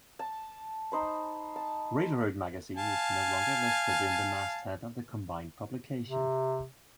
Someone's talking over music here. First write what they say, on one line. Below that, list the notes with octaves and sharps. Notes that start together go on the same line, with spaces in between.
"Railroad Magazine" is no longer listed in the masthead of the combined publication.
A5
D#4 C5 B5
A5
F5 G#5 A5
C3